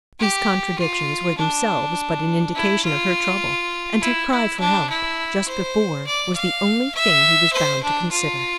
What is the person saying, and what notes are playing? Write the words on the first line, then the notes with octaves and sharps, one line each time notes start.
These contradictions were themselves but an indication of her trouble, and her cry for help, just before, was the only thing he was bound to consider.
G4
F4
D4
E4
F4
E4
E4
D4
E4
C5
D5
F5
E5
C5
D4
F4